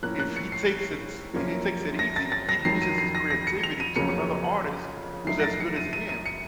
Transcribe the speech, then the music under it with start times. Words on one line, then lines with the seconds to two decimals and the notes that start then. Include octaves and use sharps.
if he takes it s he takes it easy, he loses his creativity to another artist who's as good as him.
0.03 A2 F3 A#3 C#4 F#6
0.19 F#6
0.36 C#7
0.52 C7
1.34 F#2 F3 A#3 C#4
1.99 A#6
2.16 A6
2.32 A6
2.49 A#6
2.65 F2 D#3 F#3 C7
2.82 D#7
2.98 C7
3.15 A#6
3.30 A#6
3.47 C#7
3.63 F7
3.80 D#7
3.96 F2 C#3 F#3 A#3 C#4 C#7
5.27 F#2 F3 A3 D#4 C7
5.40 A#6
5.44 A6
5.60 C#7
5.76 D#7
5.93 D#7
6.09 D#7
6.26 C#7